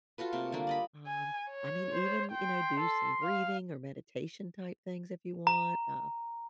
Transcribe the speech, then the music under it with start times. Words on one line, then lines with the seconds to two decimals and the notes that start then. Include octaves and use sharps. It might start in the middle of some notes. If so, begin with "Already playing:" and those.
um, I mean, even, you know, do some breathing or meditation type things if you want, um,
0.18 F4 F#4 A4 B4
0.33 C3 A3 A#3
0.52 D3 G3 A#3 D4
0.67 D5 D#5 B5
1.07 G#5
1.51 C#5
1.92 C5
2.31 G5 C6
2.79 A4
3.23 F5
5.47 A#5